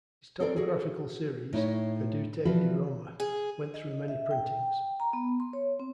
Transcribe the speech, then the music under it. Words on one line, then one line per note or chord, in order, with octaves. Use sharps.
His topographical series, "Vedute di Roma", went through many printings.
C4 A4 A#4 D5
F#4 G#4
A2 D#4 C#5
E3 F3 G3 F#4 B4
G#4
D#5
E5
G5
A#5
B3
C6
C#5
C4